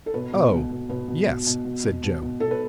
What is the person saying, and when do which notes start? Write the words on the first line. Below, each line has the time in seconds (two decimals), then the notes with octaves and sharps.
"Oh, yes," said Joe.
0.06 A4
0.14 B2 B4
0.33 B2
0.52 B2
0.71 B2
0.89 B2 B4
1.08 B2
1.27 B2
1.47 B2
1.65 B2
1.83 B2
2.04 B2
2.22 B2
2.40 B2 A4
2.51 B4